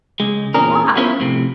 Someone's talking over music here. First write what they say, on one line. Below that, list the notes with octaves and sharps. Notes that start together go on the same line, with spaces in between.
"But why?"
C#2 G#3
E2 A#2 C4 C#4 G#4 A#4
B3 C#4 E4 F4 A#4 C5
F2 A2 C3